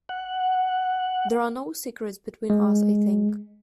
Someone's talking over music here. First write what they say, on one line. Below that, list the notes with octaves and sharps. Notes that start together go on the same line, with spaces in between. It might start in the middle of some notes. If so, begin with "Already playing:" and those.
There are no secrets between us, I think.
F#5
G#3